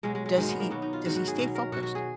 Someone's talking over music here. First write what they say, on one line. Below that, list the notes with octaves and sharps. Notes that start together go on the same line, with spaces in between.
does he does he stay focused?
B2 F#3 G#3
G#3
G#3
G#2 D#3 F#3 G#3
B3
A#3
B2 F#3 B3
D#4
F4
G#2 D#3 F#3 F#4
F#4
G#4
B2 F#3
A#4
B2 F#3 F#4
F#4
G#4